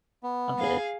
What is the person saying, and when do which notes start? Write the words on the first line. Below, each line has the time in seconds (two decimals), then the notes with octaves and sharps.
of it.
0.23 B3
0.57 G#4 F5